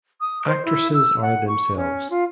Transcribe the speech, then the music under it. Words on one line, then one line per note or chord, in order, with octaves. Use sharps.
Actresses are themselves.
D#6
C5
E4
E6
F#5
C#6
C#4
F4